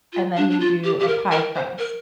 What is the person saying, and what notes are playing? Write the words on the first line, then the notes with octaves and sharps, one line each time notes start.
and then you do a pie crust
F4
D4
D4
F4
G4
G4
A#4
A#4
C5
A#4